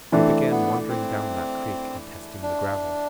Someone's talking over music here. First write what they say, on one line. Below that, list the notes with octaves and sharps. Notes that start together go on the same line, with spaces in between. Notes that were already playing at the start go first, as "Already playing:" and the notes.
They began wandering down that creek and testing the gravel.
E3 A3 C4 D4
B3
C4
D4